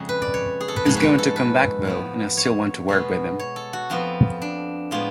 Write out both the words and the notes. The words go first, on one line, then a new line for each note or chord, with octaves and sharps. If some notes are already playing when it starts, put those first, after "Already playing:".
He's going to come back though and I still want to work with him.
Already playing: F2 C#3 G#3
B4
D5
C#5
G#4
A4
B4
G#2 F3 G#3 B3 C#5
B4
C#5
A4
B4
A2 F3 B3
C#5
B2 G#3 B3
C#5
A4
F#4
F2 F3 B3 F4
D4
A2 F3 G#3 B3 F4